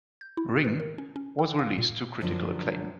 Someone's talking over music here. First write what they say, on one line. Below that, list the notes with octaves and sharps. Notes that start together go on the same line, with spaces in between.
"Ring" was released to critical acclaim.
G6
E4
B4
A#4
C#4
C#4
A4
F5
A#2
F#2 D3 F3 F#3 D4